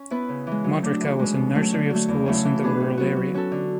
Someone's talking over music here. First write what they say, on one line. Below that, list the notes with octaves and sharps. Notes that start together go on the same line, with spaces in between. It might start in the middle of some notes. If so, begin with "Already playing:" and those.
Modrica was a nursery of schools in the rural area.
Already playing: C#4
B3 E4 B4
C#3
E3 G#3
F#3
A3 D4
E3
G#3 C#4
B2
F#3 A3 C#4
D3
F#3 A3
E2
C#3 F#3 A3 E4
E3
B3 D4 G#4 B4
A2
F#3 B3 F#4
F#3
C#4 F#4 A4
D3